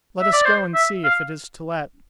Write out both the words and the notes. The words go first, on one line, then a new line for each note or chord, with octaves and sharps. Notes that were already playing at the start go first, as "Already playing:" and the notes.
"Let us go and see if it is to let."
E5
D5
C5
E5
F5